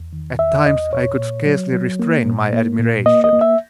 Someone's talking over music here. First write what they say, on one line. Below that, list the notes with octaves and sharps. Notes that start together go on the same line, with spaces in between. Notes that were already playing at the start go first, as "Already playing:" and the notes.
At times I could scarcely restrain my admiration.
Already playing: E2
D#3
E2 E5
E2 D#5
A#2 C#5
A#2
F#3
F#3
A#3
A#2
A#3
A#2
A#3 D#5
D#5
A#3
E5